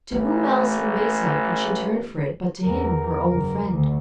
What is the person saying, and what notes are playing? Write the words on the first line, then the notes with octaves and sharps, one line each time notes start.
To whom else in Bayside could she turn for it but to him, her old friend?
A1 A3
E2 G2 A#4
F#1
D2